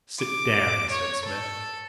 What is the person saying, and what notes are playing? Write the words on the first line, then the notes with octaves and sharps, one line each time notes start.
"Sit down!" said Smith.
D6
C#5
A4